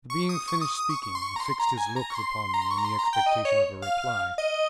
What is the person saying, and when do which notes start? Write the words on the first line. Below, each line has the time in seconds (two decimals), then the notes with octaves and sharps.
The being finished speaking and fixed his looks upon me in the expectation of a reply.
0.10 C#6
0.29 D#6
0.48 C#6
0.61 D#6
0.75 D#6
0.90 C#6
1.03 C#6
1.15 C6
1.22 C#6
1.36 A#5
1.40 C6
1.60 A#5
1.77 G#5
1.96 A#5
2.10 C#6
2.15 C6
2.54 A#5
2.62 C6
2.71 C#6
2.78 A#5
2.85 C6
2.99 A#5
3.13 G5
3.26 D#5
3.45 C#5
3.82 F5
4.38 D#5